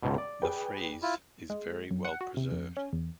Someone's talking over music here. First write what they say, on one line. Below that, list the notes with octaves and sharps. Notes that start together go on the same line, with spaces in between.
The frieze is very well preserved.
C#2 G#2 B2
D5
G#4 B4 G5
E4 F4
G#3
F#2
F#5
F#4
C3
F2
C#4
E2